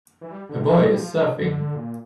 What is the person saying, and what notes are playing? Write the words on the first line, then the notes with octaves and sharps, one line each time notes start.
A boy is surfing.
E3
G3
D3
C3
F3
G3
G3
F3
D3
A#2